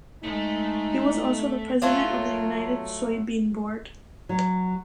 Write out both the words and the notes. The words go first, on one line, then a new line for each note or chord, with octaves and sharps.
He was also the president of the United Soybean Board.
G#3 A3 D#4 A4
F#3 A3 F4
F#3